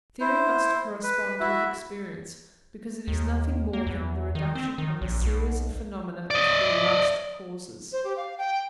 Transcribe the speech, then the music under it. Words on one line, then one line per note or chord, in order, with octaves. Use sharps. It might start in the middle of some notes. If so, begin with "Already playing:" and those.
Theory must correspond with experience, because it is nothing more than the reduction of a series of phenomena to their last causes.
E4 C5
B4
E4 F#4 E5
D#2
A#3
E2
D#3
C4
D#3
A#1
B1
D5 D#5
C5
G4
F5
G5